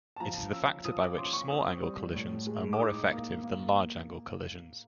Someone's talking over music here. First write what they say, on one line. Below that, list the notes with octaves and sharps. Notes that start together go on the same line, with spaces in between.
It is the factor by which small-angle collisions are more effective than large-angle collisions.
A5
F3 A#5
C#4 E6
F3 D#6
D6
C#4 C6
C#6
C4 D#6
G3
A2
G#3
D6
D#4 D#6
A#3
A#3